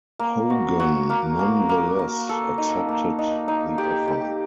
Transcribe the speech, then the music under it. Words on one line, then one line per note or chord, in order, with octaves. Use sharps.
Hogan nonetheless accepted the offer.
A#3
F#4
F#4
A#3
A#3
A#3
A#3
A4
D#4
A#3
D#4
D#4
G4
G4